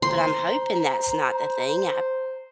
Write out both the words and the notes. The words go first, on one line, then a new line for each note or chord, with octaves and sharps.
but I'm hoping that's not the thing, I
C5 A#5 C6